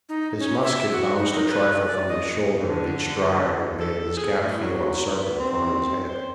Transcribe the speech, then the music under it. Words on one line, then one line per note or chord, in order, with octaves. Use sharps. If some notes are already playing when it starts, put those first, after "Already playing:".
His musket bounced a trifle from his shoulder at each stride and made his cap feel uncertain upon his head.
D#4
C#4
E5
F#4
D#4
D#4
B4
D5
D#5
D3
A4
G#4
A2
F#3
B3
C4
C5